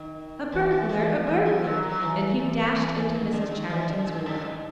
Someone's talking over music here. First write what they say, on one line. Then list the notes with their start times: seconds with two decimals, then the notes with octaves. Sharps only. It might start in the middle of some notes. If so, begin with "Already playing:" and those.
"A burglar--a burglar!" and he dashed into Mrs. Chatterton's room.
Already playing: D#3
0.52 E3
0.71 E3
0.89 E3
1.08 F3
1.27 E3
1.46 F3
1.64 F#3
1.83 F#3
2.02 E3
2.39 E3
2.76 E3
2.95 E3
3.14 D#3
3.33 D3
3.51 D#3
3.70 E3
3.89 D3
4.07 G#2
4.26 G2
4.45 G#2